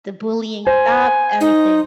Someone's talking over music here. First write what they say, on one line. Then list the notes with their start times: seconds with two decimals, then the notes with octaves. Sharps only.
The bullying stopped, everything.
0.67 C5 G#5
1.41 D#4